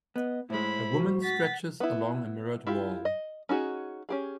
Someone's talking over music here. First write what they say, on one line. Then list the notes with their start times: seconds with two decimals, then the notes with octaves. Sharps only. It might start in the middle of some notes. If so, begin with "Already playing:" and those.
A woman stretches along a mirrored wall.
0.16 B3 D#5
0.50 A2 G#3 E4 C5 B5
0.91 F#4
1.23 F#5 A6 B6
1.80 B3 E4
2.67 E4 F4 G4
3.05 D#5
3.49 C#4 D#4 F#4 G#4
4.09 C#4 G4 G#4